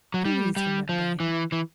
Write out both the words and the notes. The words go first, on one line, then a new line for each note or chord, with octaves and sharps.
Please remember him.
F#3
G3
G3
F3
E3
E3